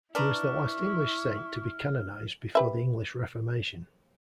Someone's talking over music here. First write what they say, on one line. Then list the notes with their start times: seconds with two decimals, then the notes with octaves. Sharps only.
He was the last English saint to be canonised before the English Reformation.
0.15 D4 E4 B4 A#5 C#6 F6
2.55 G4 B4 E5